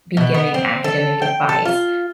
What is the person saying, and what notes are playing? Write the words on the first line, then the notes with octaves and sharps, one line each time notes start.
be giving academic advice."
B2
B3
C4
A4
G5
A4
F4